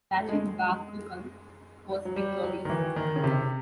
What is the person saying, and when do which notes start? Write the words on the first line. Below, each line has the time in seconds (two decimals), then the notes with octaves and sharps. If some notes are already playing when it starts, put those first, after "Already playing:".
Lachit Barphukan was victorious.
0.21 A3
0.29 G#3
2.05 F#3
2.16 G3
2.43 F#3
2.65 D#3
2.70 E3
2.96 D#3
3.16 C#3
3.24 C3